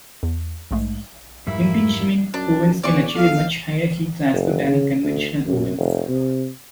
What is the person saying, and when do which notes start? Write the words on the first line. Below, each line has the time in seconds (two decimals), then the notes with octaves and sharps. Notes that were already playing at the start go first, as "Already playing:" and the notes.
Impingement ovens can achieve a much higher heat transfer than a conventional oven.
0.23 E2
0.71 A#1 G#2 G#3 A3
1.47 F2 G#2 G3 A#3 E4 E5
2.34 F#2 D4
2.84 E2 E3 D5 C#6
3.14 E2 A4 F5
4.32 F#1
4.68 C#3
5.03 D2
5.46 F#2
5.77 F1
6.08 C3